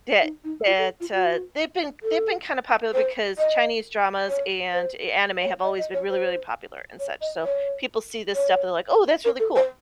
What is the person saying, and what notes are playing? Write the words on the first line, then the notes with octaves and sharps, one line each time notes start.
that that, uh, they've been they've been kinda popular because Chinese dramas and a anime have always been really, really popular and such. So, people see this stuff, they're like, "Oh, that's really cool."
D#4
D#4
F4
A4
F4
F#4
A4
C5
D#5
C#5
C5
C#5
D#5
D#5
C#5
C5
C#5
D#5
C#5
C#5
A#4
A4
C5